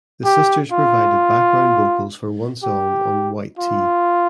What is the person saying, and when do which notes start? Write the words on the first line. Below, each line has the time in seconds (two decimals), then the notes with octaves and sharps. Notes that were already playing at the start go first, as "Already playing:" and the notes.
The sisters provided background vocals for one song on "White T".
0.25 G4
0.72 F4
2.64 G4
3.59 F4